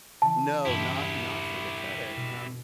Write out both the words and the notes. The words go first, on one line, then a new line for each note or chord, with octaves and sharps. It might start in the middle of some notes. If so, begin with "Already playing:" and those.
No not not for the credit, um,
C#3 E3 A5
E1 G2 E4 G4 D#6
B2